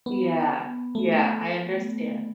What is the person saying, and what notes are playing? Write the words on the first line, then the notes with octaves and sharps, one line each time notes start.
Yeah, yeah, I understand.
B3
A3